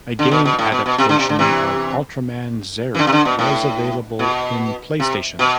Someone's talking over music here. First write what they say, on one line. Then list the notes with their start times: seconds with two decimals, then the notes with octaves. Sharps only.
A game adaption of Ultraman Zearth was available in PlayStation.
0.19 D3
0.31 B2
0.45 B2
0.59 A2
0.72 B2
0.86 B2
0.98 C3
1.09 D3
1.19 C3
1.29 D3
1.39 C3 E3
2.95 E3
2.99 D3
3.07 C3
3.12 D3
3.25 B2
3.39 A2
4.19 B2
5.00 C3
5.39 B2